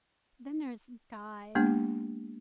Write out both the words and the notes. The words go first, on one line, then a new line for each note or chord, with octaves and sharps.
Then there's Guy.
G#3 A#3 B3 D4 G4